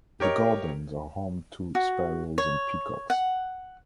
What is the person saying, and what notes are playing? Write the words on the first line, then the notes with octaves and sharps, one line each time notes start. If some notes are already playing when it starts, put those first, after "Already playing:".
The gardens are home to sparrows and peacocks.
G4 A#4 C#5 D#5
F#4
C#5
F#5